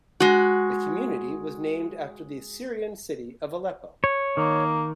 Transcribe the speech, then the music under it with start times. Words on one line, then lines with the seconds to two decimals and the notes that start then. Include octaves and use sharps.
The community was named after the Syrian city of Aleppo.
0.20 G#3 F#4
4.04 C#5
4.37 D#3 A#3